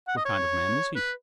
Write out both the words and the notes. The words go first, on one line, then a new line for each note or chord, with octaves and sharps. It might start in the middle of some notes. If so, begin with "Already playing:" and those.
"What kind of man is he?"
F#5
D#5
C#5
B4